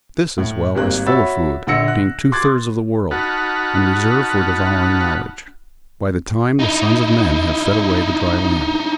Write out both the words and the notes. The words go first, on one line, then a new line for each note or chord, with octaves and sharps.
This, as well, is full of food; being two-thirds of the world, and reserved for devouring knowledge; by the time the sons of men have fed away the dry land.
A2
G#1 G3 A#3 F#6
F#4 C#5 E5 B5 E6 A6
A#1 D3 F#5 E6 A#6 C#7
F#6
C6 D6 F#6 G#6 A6
D#4 F#4 F#5 A5 B5 F6
D#4 E4